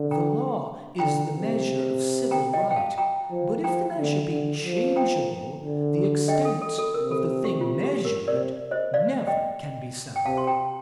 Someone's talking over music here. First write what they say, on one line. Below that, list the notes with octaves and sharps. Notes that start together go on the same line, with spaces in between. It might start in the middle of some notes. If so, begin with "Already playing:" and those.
The law is the measure of civil right; but if the measure be changeable, the extent of the thing measured never can be settled.
Already playing: D3
G5 A#5
D3 G5 A#5
C3
G5 A#5
D#5 G5
G5
F5 A5
G5 A#5
F3
F3 G5 A#5
D3
D3
F3
G5 A#5
D3
D#5 G5
A4
A4
A4
C3 A#4
A4
G4
F4
G4
A#4
C3 A#4 D5
C5 D#5
D5 F5
D#5 G5
G5
C3 F5 A5
C6
G5 A#5